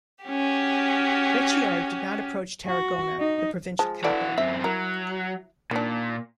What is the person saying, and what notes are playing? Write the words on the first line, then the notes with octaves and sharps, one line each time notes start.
Rechiar did not approach Tarragona, the provincial capital.
C#4 F#4 G4
F#4
D#4
F3 G#3 A5
E3 E4 F#4 A4 D5
F#2 C4 E5
F#3 E4 A#4
A#2 D#3 D4